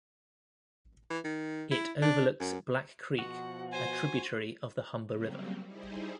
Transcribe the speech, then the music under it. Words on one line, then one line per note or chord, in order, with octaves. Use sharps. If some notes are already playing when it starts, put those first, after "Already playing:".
It overlooks Black Creek, a tributary of the Humber River.
E3
D#3
E4
D4
F#2
B2 F3 F#4 F#5
C5 G#5
C#3 F#3 G3 A#3 C4
G3 D#4 E4 G#4 C5